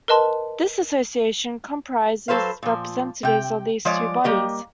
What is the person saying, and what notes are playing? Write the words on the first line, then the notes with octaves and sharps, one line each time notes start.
This association comprises representatives of these two bodies.
A#4 B4 D#5 A5 C6
F#3 A4 B4 C5 F5
A#2 F3
C3 G5
F3 G#3 C#5 D5
G3 A#3 G4 D#5